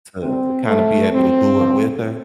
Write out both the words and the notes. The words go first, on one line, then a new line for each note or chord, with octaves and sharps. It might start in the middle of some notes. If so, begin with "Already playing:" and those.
to to kinda be able to do it with her,
D2 C3 G3 C4
A2 G3 A3
A2 G3 C4
G2 D3 F3